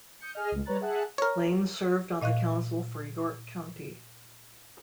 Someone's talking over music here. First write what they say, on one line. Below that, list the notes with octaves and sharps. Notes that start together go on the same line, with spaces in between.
Lane served on the council for York County.
D#6 G6 C#7
G#4 D#5 F6
C#2 G#3
G3 B4 C#5 A#5 F#6 A6
G#4 E5 F#5 A5 F#6
A#4 C#5
A#2 D#5 F5 C#6 F#6